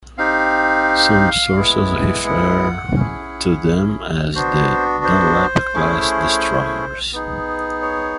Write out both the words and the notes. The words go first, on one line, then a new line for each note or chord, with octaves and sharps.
Some sources refer to them as the "Dunlap"-class destroyers.
C4 D#4 G4 F5
G#3 B3 E4
F#5
C#4 E4 G#4
B3 D4 F#4 C5
C5
A3 C#4 E4 G#4
B3 D#4 G#4
C#5